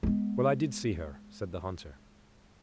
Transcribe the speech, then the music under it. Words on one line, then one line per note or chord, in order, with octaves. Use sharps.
"Well, I did see her," said the hunter.
G#3 B3